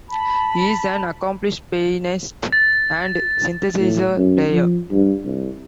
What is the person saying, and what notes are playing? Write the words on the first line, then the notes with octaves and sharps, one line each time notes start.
He is an accomplished pianist and synthesizer player.
A5 B5
A6
A2
F#2
F3
G2
C2